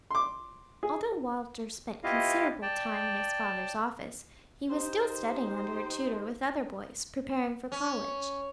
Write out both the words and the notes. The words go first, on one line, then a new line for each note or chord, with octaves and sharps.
Although Walter spent considerable time in his father's office, he was still studying under a tutor with other boys, preparing for college.
C6 D6
G#4
B3 E4 F4 G4 D#5 F5
D5 G5 A5
D#4 G4 C5
C#4